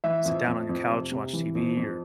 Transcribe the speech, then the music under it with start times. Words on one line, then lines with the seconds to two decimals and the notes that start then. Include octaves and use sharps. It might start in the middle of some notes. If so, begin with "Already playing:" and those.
sit down on your couch and watch TV, or
0.04 E3 E5
0.25 F2
0.47 F2
0.69 F2
0.90 C3
1.12 C3
1.33 E3
1.55 F2
1.77 F2